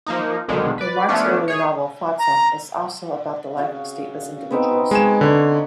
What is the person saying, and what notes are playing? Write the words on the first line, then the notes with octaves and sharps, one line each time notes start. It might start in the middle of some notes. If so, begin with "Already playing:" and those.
Remarque's earlier novel "Flotsam" is also about the life of stateless individuals.
F3 A#3 D#4
C2 B2 D3 D#3 F3 G#3
B4 D5
F3 A3 B3 C#4 D4
G#4 C#5
A#5
C#3 F#4 F5
B3 C4 D#4
G#3 F#4 F5 G#5 E7
D3 C5 C#5